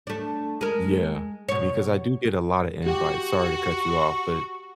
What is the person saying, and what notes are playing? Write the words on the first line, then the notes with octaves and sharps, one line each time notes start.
Yeah, c because I do get a lotta invites. Sorry to cut you off, but
A3 D4
G#3 A#4
B2 C#5
F#4 G4
C#6